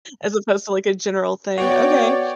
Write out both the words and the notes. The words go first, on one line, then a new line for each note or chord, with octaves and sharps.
as opposed to, like, a general thing. Okay,
B3 F#4 C#5 D5 G5